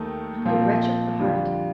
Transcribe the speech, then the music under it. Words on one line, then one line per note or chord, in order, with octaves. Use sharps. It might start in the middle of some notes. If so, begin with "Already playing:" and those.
One could retch up the heart...
Already playing: D#2 D#3 A3 D#4 A4
A#2 F3 C4 F4
F2 D3 G3 D4 F4